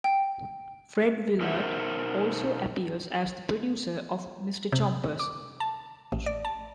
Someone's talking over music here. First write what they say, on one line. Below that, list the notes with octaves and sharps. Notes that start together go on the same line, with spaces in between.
Fred Willard also appears as the producer of Mr. Chompers.
G5
B2 D#4 A#4 C5 E5 F#5
C3
D6
A5
A1
D5
A5